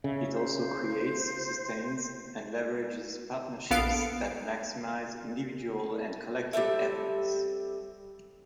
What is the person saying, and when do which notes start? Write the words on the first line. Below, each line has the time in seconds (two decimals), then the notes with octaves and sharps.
It also creates, sustains and leverages partnerships that maximize individual and collective efforts.
0.04 C#3 E5
0.34 C5
3.71 A#1 B3 A4 F5 C7 D7
6.53 G3 C4 A4 E5